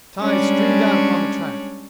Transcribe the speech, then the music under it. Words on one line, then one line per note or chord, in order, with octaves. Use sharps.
Ties streamed out upon the track.
G3 G#3 C#4 D4 C#5 D5